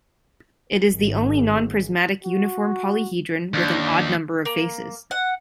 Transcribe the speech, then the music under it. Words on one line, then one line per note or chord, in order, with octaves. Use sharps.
It is the only non-prismatic uniform polyhedron with an odd number of faces.
G#1 G#2
F#4
D#2 D4
A#3
F#5